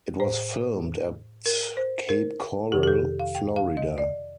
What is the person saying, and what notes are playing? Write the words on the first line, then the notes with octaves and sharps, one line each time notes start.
It was filmed at Cape Coral, Florida.
A2 C5
A#4
C5
A#4
F2 C3 D#3 G4
G4
A4
F5
G5
F5
D#5
D5